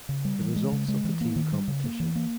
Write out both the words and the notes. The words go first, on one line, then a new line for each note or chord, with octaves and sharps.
The results of the team competition.
C#3
G3
E3
G#3
C#3
G#3
E3
A#3
D#3
G3
C#3
A#3
E3
A#3